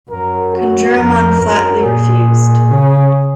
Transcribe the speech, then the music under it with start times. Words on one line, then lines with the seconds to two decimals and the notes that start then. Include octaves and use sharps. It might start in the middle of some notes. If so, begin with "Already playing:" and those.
Kunjuraman flatly refused.
0.10 F#2 A#4
0.54 F#4
0.98 F2 A#4
1.41 F#2 A#4
1.84 A#2 G#4
2.70 C#3